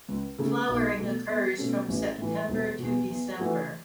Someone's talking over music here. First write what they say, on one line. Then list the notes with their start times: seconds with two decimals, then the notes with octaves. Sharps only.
Flowering occurs from September to December.
0.08 C#2
0.38 C#3 A3
0.68 B1
0.98 B2 A3
1.28 E2
1.58 B2 A3 C#4
1.88 A1
2.18 A2 E3
2.48 E1
2.78 E2 B2
3.08 E2
3.38 E3 A3 F#4